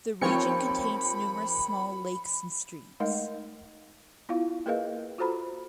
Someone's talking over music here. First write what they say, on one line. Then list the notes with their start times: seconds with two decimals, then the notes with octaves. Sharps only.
The region contains numerous small lakes and streams.
0.21 D#2 F3 C4 C#5 G5 B5 C#7
3.00 G#3 A3 D#4 A#4 D#5 F5
4.29 B3 E4 F4 F5
4.66 A#3 G#4 A#4 B4 D#5 F5
5.18 F4 F#4 A4 C5 A#5 B5